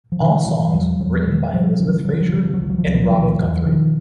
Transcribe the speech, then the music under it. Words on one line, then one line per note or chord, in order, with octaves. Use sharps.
All songs written by Elizabeth Fraser and Robin Guthrie.
F3
B2 D3 E3
B2 E3 F#3
E2 F3 G3
E2 F3 G3
B2 F#3 G#3
B2 F3 G3
C#3 F3
F#3
F3
C#3 F#3
F3
F#3
F3
C#3 F#3
F3
F#3
C#2 F3
F#3
F3
C#2 F#3
F3
F#3
C#2 D#3 F3
E2 E3 F#3
B2 D#3 F3